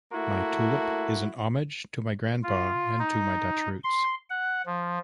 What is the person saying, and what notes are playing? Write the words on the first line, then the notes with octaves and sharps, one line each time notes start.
My tulip is an homage to my Grandpa and to my Dutch roots.
A3 A#3 E4 F#4
F4
D#4
C6
F#5
F3